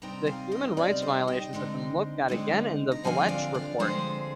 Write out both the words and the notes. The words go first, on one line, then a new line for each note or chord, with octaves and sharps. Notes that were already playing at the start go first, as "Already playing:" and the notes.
The human rights violations have been looked at again in the Valech Report.
C3 G3 C4 D#4 G5 A#5
F5 G#5
D#5 G5
C3 G3 C4 D#4 D5 F5
C5 D#5
D#5 G5
D3 G#3 C4 D#4
D3 G#3 C4 D#4
A#5
D3 F3 G#3 C4 F5 G#5
D5 F5
D5 F5
D3 F3 G#3 C4 G#4 C5